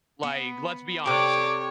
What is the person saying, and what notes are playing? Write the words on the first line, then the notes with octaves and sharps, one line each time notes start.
Like, let's be honest here.
B3
C3 G4 A4 C#5 D5 D6